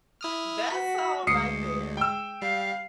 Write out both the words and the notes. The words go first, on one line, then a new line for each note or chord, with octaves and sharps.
That song right there
E4 D#6 F6
F#4 B6
D2 G#3 D#6 C7 C#7
G5 E6
G3 F5